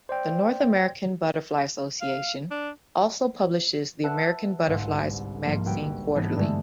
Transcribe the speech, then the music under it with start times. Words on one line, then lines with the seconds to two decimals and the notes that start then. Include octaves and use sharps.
The North American Butterfly Association also publishes the American Butterflies magazine quarterly.
0.09 C5 D5 G5
2.01 F5
2.51 D4
4.03 B4 E5 F#5 A5 E6 F#6
4.66 G1 C2 G#2 C5 F5 F#5
5.45 G#2 C3 F3 A#3
5.66 G1 F#4 G5
6.15 G#2 E3 B3 D4 D#4
6.37 G2 D3 E3 G#3 A3